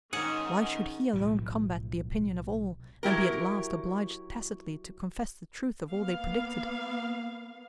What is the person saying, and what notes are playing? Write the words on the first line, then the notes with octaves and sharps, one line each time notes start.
Why should he alone combat the opinion of all, and be at last obliged tacitly to confess the truth of all they predicted?
G#2 D#3 C#4 G#4 F#5
B1 A2 F3 F#3
F#3 E4 G4 A#4
A#3 B3 F5